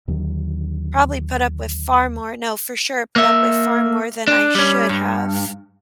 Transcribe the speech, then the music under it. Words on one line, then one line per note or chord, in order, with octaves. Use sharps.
probably put up with far more no, for sure, put up with far more than I should have.
D#2 D3 D#3 F#3
A#3 E5
D4
G3 C#4
G2